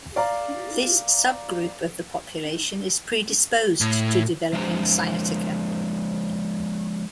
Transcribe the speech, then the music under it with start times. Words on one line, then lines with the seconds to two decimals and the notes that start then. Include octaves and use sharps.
This subgroup of the population is predisposed to developing sciatica.
0.16 D5 F5 A#5
3.81 A2
4.53 F3 G#3 D4 C5 E5 A#5